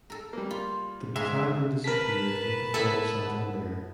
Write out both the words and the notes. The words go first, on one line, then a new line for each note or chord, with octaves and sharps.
The battalion disappeared with the fall of Santander.
A4 A#4
G3 A#3
F4
G#2 G#4 A#4 E5 F5 C6
A#4 B4 A5 B6
B3 E4 A4